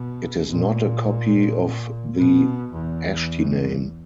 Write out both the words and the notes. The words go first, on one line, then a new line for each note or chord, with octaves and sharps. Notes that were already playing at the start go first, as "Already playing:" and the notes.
It is not a copy of the "Ashtiname".
Already playing: B2
A#2
B2
E2